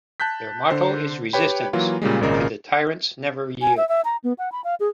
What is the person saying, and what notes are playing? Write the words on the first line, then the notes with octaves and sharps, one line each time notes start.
Their motto is resistance - To the tyrants never yield!
A5 F#6 G6 B6
D3 C5
G4 B4 C#5 G5 B5
E3 F#3 A#3 F4
A#2 C#3 G3 G#3
G#1 A#2 C#3 A#4 D#5
G#5
E5
E5
A#5
B3
F#5
B5
F5
G#4